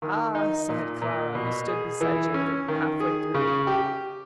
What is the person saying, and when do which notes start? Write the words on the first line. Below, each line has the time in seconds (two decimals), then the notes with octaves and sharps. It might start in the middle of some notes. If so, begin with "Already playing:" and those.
"Ah," sighed Clara, who stood beside Jacob, half-way through.
0.02 D#3
0.35 D#4
0.69 A#2
1.02 A#2
1.35 B2
1.68 G#4
2.01 E3
2.34 C#4
2.68 D#3
3.00 G#4
3.34 C#3
3.67 G4